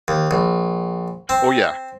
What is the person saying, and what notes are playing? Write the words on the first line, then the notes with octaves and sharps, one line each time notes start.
Oh, yeah.
D#2
A#1
C4